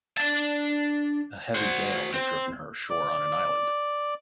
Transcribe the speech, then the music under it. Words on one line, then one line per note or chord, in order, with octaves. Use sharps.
A heavy gale had driven her ashore on an island.
D4 A5
F#4 C5
C4
D5